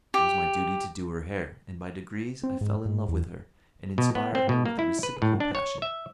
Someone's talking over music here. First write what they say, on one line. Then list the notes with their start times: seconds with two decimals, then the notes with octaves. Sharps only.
It was my duty to do her hair, and by degrees I fell in love with her, and inspired her with a reciprocal passion.
0.14 G4
2.43 C4
2.61 G#2
2.86 G#2
3.09 E2
3.98 B2
4.15 B3
4.35 C4
4.49 B2
4.66 A#3
4.79 E4
5.03 B4
5.22 A2
5.40 D4
5.55 C#5
5.82 E5